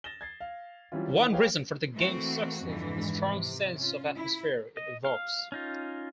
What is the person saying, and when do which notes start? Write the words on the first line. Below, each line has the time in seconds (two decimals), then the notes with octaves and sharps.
One reason for the game's success is the strong sense of atmosphere it evokes.
0.04 A6 A#6 E7 G7
0.21 G#6 A6 C7
0.41 F5
0.92 E3 F#3 G3 C4 C#4 F4
1.15 D#3 E3
1.32 G4 G#4 B4 C#5 F5 G5
1.94 E3 A3 A#3 C4 F#4
2.62 F2 G#2 D3 E3
3.24 C3
3.77 C#4 F4
4.17 E4
4.77 D#5
5.05 F5
5.52 C#4 D#4 F4